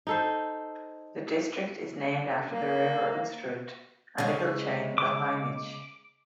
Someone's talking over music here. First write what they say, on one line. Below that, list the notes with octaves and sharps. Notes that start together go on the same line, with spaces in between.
The district is named after the river Unstrut and a hill chain, the Hainich.
D#4 A4 C5
A#3
C#3 G#3
D6